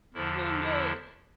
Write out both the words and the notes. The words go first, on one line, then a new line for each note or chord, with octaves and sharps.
Doing great.
E2 D3 F3 E4
E4